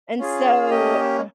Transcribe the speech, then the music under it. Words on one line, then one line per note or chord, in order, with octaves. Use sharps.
And so, uh
C#4 F4 G#4
A#3 C#4 G4 D#5